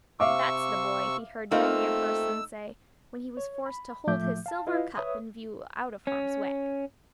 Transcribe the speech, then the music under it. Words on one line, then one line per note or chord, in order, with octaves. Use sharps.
"That's the boy," he heard many a person say when he was forced to hold his silver cup in view out of harm's way.
C3 E5 F5 C#6 D6 E6
A3 A#3 C4 D#4 F4 E6
C#5
B5
A2 F3 A3 E5 D6 G6
F5 A5
E4 F4 B4 D#5 F5
B4 C#5 E5 D#6
C#4